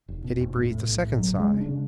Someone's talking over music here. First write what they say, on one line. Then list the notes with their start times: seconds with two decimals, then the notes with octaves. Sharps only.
Kitty breathed a second sigh.
0.08 F1
0.24 B2
0.40 F1
0.56 A2
0.71 A2
0.88 B1
1.03 A2
1.18 G#1 F#3
1.35 C#3 G#3
1.50 C#3
1.56 C#4
1.60 D4
1.66 C#3